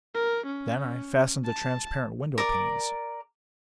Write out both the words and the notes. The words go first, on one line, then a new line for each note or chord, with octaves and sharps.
Then I fastened the transparent window panes.
A#4
C#4
A5
A#4 D5